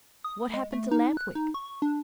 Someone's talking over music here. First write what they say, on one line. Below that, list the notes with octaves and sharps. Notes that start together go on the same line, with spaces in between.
What happened to Lamp-Wick?
D#6
G#3
A3
D#4
F#6
D#4
C#6
D4